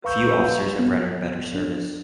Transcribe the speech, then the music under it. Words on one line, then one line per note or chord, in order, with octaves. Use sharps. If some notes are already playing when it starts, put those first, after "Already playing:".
Few officers have rendered better service.
B4 F5 A#5 C#6 E6 G6
B3
D4